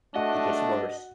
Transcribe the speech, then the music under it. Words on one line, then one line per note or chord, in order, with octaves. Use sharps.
It gets worse,
A3 D4 F#4 D#5